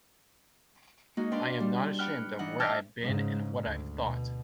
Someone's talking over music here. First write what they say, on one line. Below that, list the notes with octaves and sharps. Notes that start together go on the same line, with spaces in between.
I am not ashamed of where I've been and what I've thought.
G#3 A#3 D#4 F#4
D4 B4 D5 F5 G5 C6
G3
F#5 G5 B5 F6 F#6
E3 D4 D#4 F#5
D#5 G5 A5 D6 E6 F6
G#2 C#3
D2
B2